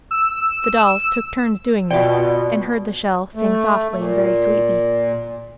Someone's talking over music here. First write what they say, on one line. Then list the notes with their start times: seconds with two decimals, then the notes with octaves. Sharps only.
The dolls took turns doing this, and heard the shell sing softly and very sweetly.
0.11 E6
1.90 B2 F4 D5 G5
3.35 A3
3.96 A#2